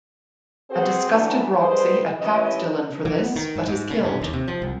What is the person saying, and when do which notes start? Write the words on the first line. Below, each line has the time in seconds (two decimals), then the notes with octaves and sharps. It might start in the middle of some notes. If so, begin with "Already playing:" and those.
A disgusted Roxy attacks Dillon for this but is killed.
0.70 C4 F#4 G#4 B4 C5
1.10 C#3 E3 F#3 A3 C#4 D4
1.59 D3 G3 G#3 B4 C5
2.20 D#2 E3 C#4 E4 D#5
3.05 E3
3.22 B3
3.36 D#3
3.56 G#2
3.67 G#2
3.90 C#3
4.03 G2
4.21 D#2
4.33 C3
4.48 F3
4.62 C2